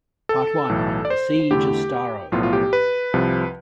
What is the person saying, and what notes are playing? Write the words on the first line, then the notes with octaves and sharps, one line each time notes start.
Part One", "The Siege of Starro!
A4
B1 A2 E3
D5
C5
E2 D3 A3 E4 G4
B1 A2 F3 B3 F4
F4
G4
B4
C2 C3 F3